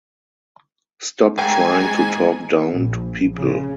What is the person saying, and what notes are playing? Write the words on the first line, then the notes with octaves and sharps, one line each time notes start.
Stop trying to talk down to people.
G#2 F5 G5 G#5
G#2
A#1
C#3